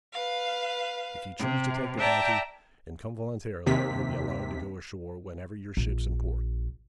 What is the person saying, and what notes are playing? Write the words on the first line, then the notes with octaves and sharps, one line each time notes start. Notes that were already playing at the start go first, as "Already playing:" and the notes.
If you choose to take the bounty and come voluntarily, you'll be allowed to go ashore whenever your ship's in port.
B4 F5
C3
D5 E5 G5 A5 A#5
D#2 C3 B6
A#1